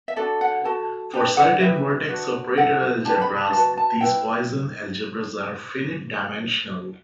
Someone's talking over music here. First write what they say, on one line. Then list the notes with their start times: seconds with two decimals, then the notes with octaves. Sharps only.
For certain vertex operator algebras, these Poisson algebras are finite-dimensional.
0.08 E5
0.16 D4 F#4 A4 D5
0.41 F#5
0.65 F#4 A4 A5
1.13 D4 G4 B4 G5
1.37 F#5
1.61 E4 G4 B4 E5
2.09 D4 F#4 B4
2.57 E4 A4 F#5
3.05 D4 G4 B4 A5
3.22 B5
3.38 A5
3.53 F#4 B4 A5
3.77 A5
4.01 E4 B4 G5